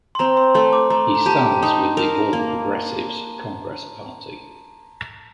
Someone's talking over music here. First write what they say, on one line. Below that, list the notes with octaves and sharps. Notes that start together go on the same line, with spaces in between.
He stands with the All Progressives Congress Party.
C6
C4 A#5
C6
A3 C6
D6
A3 A#5
A#5
G4 A5
A5
D#4 A#5
A#4
A#3